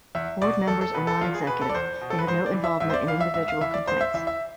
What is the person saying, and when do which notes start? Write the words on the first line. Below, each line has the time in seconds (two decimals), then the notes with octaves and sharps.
Board members are non-executive - they have no involvement in individual complaints.
0.15 E2 E5
0.42 B2 D5
0.67 E2 A4
0.81 A4
0.94 B2 B4
1.07 A4
1.21 E2 F4
1.35 G#4
1.47 B2 B4
1.61 A4
1.69 D5
1.74 E2 C5
2.01 B2
2.10 A4
2.19 B4
2.27 G#2 C5
2.46 D5
2.54 E3
2.64 E5
2.80 G#2 E5
2.90 C5
2.94 D5
3.07 E3 F5
3.21 E5
3.34 G#2 E5
3.48 F5
3.61 E3 E5
3.74 D5
3.87 G#2 C5
4.01 E5
4.14 E3 E5
4.27 E5